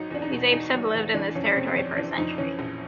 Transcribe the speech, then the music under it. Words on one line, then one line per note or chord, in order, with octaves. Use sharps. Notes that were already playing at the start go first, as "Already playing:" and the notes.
These apes have lived in this territory for a century.
Already playing: G#1 F#3 D#4
E2 D4
D#4
B2
E2 D#4
F#3
E2
E3 D4
F2 C#4
C#4
C3 C4
C4
F2 C#4
E3 D4
F2 D#4
E3 C#4
A#1